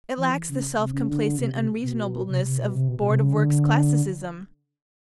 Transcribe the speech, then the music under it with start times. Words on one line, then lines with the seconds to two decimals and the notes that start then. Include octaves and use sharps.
It lacks the self-complacent unreasonableness of Board of Works classicism.
0.17 E3
0.48 C#3
0.77 C3
0.93 C#3
1.08 D3
1.38 C3
1.53 C3
1.83 B2
2.28 C3
2.44 C3
2.59 B2
2.74 C3
2.88 B2
2.99 B2
3.09 C3
3.19 C#3
3.33 D3